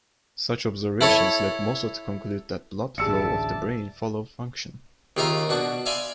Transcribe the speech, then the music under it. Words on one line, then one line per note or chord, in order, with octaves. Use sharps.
Such observations led Mosso to conclude that blood flow of the brain followed function.
E4 A4 C#5
A1 D2 G#4 D5 E5 A5 E6 C#7
D#2 C#3 F4 E5 F5 A#5
B2 D4 F#4
D5 E5 F5 G#5 B5 C6